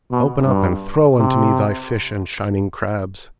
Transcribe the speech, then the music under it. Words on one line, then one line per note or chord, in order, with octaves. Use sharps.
Open up, and throw unto me thy fish and shining crabs!
B2
G2
C3